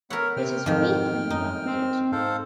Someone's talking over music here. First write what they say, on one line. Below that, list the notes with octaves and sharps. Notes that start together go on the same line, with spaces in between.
It is weakly rounded.
B3 A#4 C#5 E5 F#5
C3 G5 F6
F2 G#2 D#3
F#2 D#4
C4
G#2 A4 C5 F5